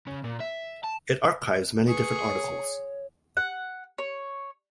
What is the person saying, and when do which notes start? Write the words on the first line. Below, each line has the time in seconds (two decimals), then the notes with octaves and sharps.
It archives many different articles.
0.07 C#3
0.24 A#2
0.40 E5
0.84 A5
1.86 G#4 B4 C#6
2.23 C#5
3.37 F#5
3.98 C#5